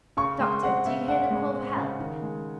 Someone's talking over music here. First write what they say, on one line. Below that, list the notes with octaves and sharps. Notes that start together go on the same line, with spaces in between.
"Doctor, do you hear them call for help?"
C#3 C#6
G#3 C6
C4 F#5
C#3 E5
C#3 F#5
G#3
C4
C#3
D#3
G#3